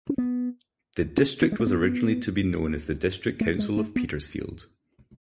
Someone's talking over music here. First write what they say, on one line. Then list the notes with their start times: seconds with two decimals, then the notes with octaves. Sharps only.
The district was originally to be known as the District Council of Petersfield.
0.09 C#4
0.18 B3
1.17 C#4
1.42 B3
1.52 G#3
1.60 A3
1.67 B3
3.41 A3
3.59 G#3
3.77 A3
3.96 B3